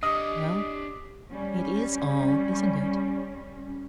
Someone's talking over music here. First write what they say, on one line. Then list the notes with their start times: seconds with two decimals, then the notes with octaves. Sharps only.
"Well; it IS all, isn't it?"
0.03 D4 G4 C#5 D#5 D#6
1.28 G3 C#4